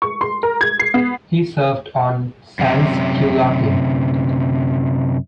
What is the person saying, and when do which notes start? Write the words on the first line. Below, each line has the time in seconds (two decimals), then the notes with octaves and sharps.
He served on "Sans-Culotte".
0.02 C#6
0.21 C6
0.43 A#4
0.61 G#6
0.80 C7
0.94 B3
2.59 F#2 C3